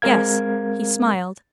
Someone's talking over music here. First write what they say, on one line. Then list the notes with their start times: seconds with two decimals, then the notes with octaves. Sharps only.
Yes, he smiled.
0.02 G#3 C4 A#4 F5 G#6